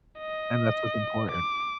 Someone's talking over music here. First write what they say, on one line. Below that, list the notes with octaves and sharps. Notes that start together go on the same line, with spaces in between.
And that's what's important.
D#5
D6